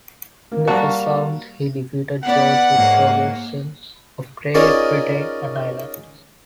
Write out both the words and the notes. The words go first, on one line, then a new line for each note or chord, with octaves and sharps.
In the first round, he defeated George S. Robertson of Great Britain and Ireland.
A#3
G3 A#3 F#4 F5 A5 C#6
B3 E4 D5 F#5
G#2 A#3 C#5
C#4 D#4 F4 G#4 A#4 D5